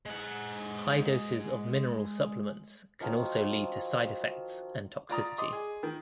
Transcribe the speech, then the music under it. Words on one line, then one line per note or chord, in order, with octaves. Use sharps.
High doses of mineral supplements can also lead to side effects and toxicity.
G#3 F#5
D#3 F3 F#3
F4 D5 A#5 D#6
D#5 C6 D6 D#6
G#4
D#3